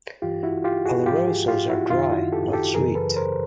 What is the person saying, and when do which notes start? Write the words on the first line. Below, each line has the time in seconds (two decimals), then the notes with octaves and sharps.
Olorosos are dry, not sweet.
0.22 G2 E3 F4 G4
0.43 E4 F#4
0.64 F4 G4
0.85 F#4 G#4
1.06 G#2 F3 F4 G4
1.27 F#4 G#4
1.48 F4 G4
1.69 E4 F#4
1.90 F#2 D#3 D#4 F4
2.11 E4 F#4
2.32 G4 A4
2.53 G4 A4
2.74 F#2 C#3 E3 G#4 A#4
2.95 A4 B4
3.16 A#4 C5